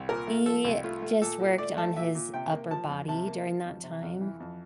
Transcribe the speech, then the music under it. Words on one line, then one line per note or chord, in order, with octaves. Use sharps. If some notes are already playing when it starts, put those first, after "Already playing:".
He just worked on his upper body during that time.
Already playing: C2
A#2 A#4
A3
F3 A4
C2
A3 F4
A3
A#2 A4
A#2
A3 D5
A3 A5
A#2 E5
A#2
C3 G5
A#3
F3 A5
F2
C3 A5
A#3
F3
F2
C3
F2
E3
F2